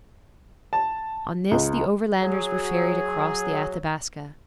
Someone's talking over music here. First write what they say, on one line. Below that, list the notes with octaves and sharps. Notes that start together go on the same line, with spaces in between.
On this the Overlanders were ferried across the Athabaska.
A5
C#2
F#3 G#4